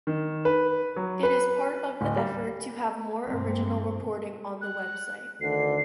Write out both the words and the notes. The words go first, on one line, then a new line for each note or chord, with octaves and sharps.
It is part of the effort to have more original reporting on the website.
D#3
B4
F#3
B4
D1
G3
G2 B2 E3 G#3 A#3 C4
F#6
D2 D3 D#3 C7